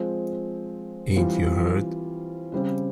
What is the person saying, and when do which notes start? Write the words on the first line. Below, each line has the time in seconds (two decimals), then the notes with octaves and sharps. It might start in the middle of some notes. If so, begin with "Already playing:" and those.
Ain't you heard?
Already playing: F3 G#3 C4
1.16 E3 G3 C4 F4
2.52 C#3 G3 C4